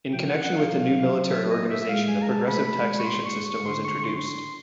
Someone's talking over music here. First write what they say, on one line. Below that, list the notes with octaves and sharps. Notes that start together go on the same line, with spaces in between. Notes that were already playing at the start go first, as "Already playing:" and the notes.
In connection with the new military organization, a progressive taxation system was introduced.
F3 G5
F#5
F#5
F5
F#3
E5
D#5
E5
E5
G#3 F5
G#5
A#5
A5
A3 B5
G#3
C#6
C6
C#6
C#6
D3 C6
C#6
C#6
C6